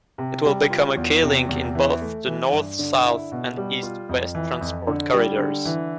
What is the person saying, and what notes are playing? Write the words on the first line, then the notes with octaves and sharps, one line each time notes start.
It will become a key link in both the North-South and East-West transport corridors.
C3
G3
F4
E2
C3
E2
E3
A3
E3
G2
D3
E4
B2
G3
F4
F2
E3
F2
D3
G3
D3
E3